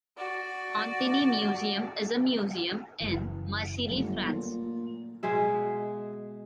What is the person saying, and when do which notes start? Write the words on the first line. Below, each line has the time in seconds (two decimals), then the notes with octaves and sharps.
Contini Museum is a museum in Marseille, France.
0.17 F#4 D5
3.00 F#1 B1 E3
3.90 G1 F#3 A3
4.25 A#2
5.23 B2 G#3 G#4 E5